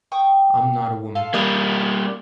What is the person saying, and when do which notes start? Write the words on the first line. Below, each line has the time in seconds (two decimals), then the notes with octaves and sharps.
I'm not a woman.
0.12 G5 C#6 D#6
1.15 F4 A4 F5
1.34 G3 A#3 D#5 C6 D#6